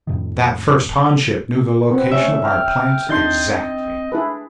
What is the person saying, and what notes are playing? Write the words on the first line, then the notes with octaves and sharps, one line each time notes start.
That first Han ship knew the location of our plants exactly.
F2 A2 D#3
B3 C4 F#5
A3 C#4 E5
G5 F6
D#3 C4 D4 D#5 C6 G6 A6
D4 E4 G#4 B4